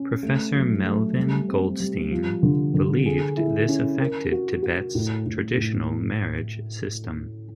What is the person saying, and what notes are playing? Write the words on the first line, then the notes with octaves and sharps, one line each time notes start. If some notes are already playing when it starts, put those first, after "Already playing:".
Professor Melvyn Goldstein believed this affected Tibet's traditional marriage system.
Already playing: C#4
A3
F#3
A3
G3
C4
G3
F3
D3
D3
G#4
E4
C#4
A#4
F#4
F#4
A2
A2
A2